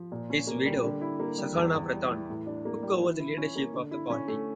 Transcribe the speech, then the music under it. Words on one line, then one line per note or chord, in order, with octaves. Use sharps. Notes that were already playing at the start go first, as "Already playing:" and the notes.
His widow, Sahana Pradhan, took over the leadership of the party.
Already playing: F3
A#2
C#4
A#3
G3
D3
E4
A#3
G3
E2
E2
G3
E3
A2
D4
A#3
G3
E3
E4
C#4
A#3
D3
E4
C#4
A3